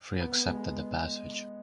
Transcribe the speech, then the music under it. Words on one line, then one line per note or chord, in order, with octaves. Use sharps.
Three accepted the passage.
B3
G#3